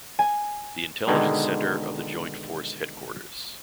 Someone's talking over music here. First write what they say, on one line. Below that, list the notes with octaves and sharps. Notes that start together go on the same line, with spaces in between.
The intelligence center of the joint force headquarters.
G#5
B2 D3 D#3 G#3